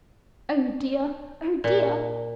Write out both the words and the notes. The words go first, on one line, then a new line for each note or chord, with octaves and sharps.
Oh dear, oh dear!
A#2